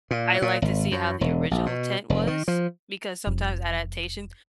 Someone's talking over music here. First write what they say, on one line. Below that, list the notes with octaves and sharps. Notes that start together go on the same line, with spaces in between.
I like to see how the original tent was, eh, because sometimes adaptation
A#2
A#2
G#1
F#2
E1
A#1
B2
F1
D#3
F3
F1